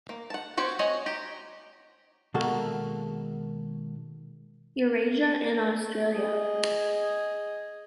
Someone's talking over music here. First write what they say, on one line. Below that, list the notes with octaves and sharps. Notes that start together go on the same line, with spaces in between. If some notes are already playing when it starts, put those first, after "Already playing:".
Eurasia and Australia.
A#3
F#5 A5
C4 F#4 G4 C5 C#5
F#4 C#5 D#5 G#5
G4 A#5
B2 D#3 G#3 A#3 F#4 A4
G#4 D#5